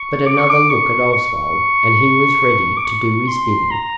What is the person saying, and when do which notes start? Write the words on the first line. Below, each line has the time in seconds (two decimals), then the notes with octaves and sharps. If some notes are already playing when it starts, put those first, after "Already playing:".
But another look at Oswald and he was ready to do his bidding.
Already playing: C#6
0.26 D6
0.38 C#6
0.50 D6
0.70 C#6
1.13 C#6
2.77 D6
2.85 C#6
3.27 C6
3.71 A#5